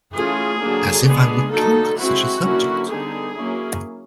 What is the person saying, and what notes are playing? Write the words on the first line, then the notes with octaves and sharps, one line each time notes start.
As if I would talk on such a subject!
E3 A3 C#4 F4 G#4
D3 F#3 A#3 D4
G#3 B3 D4 G#4
D3 F#3 A#3 D#4 A4
G#3 C4 E4 F#4
D3 F#3 A#3 C#4 E4
D3 G3 B3 D#4 G#4
F#3 A#3 C#4 E4